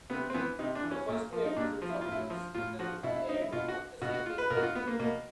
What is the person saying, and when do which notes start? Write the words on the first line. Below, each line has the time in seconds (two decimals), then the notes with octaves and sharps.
The first two episodes of the season aired on the same day.
0.10 C3 B3
0.30 C4
0.34 E3 B3
0.59 C3 D#4
0.75 D4
0.83 E3
0.91 C#4
1.08 A#2
1.33 F3
1.46 D#4
1.57 A#2 D4
1.82 F3
1.89 E4
2.01 A2 F4
2.12 E4
2.30 F3
2.55 A2 F4
2.79 F3 F#4
3.03 B2 E4
3.16 E4
3.29 D#4
3.41 E4
3.52 B2 F4
3.68 F#4
4.02 B2 F#4
4.14 F#4
4.26 F4
4.38 B4
4.50 B2 A#4
4.57 F#4
4.63 F4
4.75 B3
4.87 A#3
4.99 B2 A#3